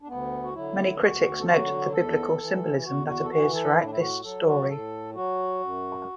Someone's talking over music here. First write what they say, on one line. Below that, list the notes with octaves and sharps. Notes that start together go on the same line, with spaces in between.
Many critics note the biblical symbolism that appears throughout this story.
D4
D2 B3
F#4
D3 F#3 E4
D2 F#4
A4
D3 F#3 F#4
E2 A4
E3
E2 F#4
F#4
A4
E3 F#4
A4
A2 E4
D4
E4
F#4
F#3 A4
F#4
A2 A4
F#3 F#4
F#2